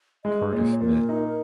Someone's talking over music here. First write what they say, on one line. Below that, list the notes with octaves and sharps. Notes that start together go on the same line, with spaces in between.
Cardiff Met.
G#3 D#5
A#2 C#5
A#2 A#4
D#4